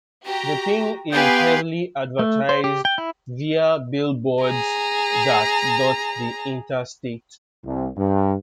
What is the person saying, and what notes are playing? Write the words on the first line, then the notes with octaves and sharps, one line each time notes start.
The Thing is heavily advertised via billboards that dot the interstate.
F#4 G4 A#5
B3 G4 B4 F5 G5 G#5 C6
A3
C5
G4
G5
E4
G#4 A#5
C2
G2